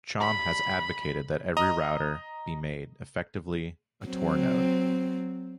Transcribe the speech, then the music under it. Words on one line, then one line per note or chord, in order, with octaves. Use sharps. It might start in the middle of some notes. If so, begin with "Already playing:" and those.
Chaum has advocated that every router be made, effectively, a Tor node.
B5
D#5 A#5 D#6
F#3 C4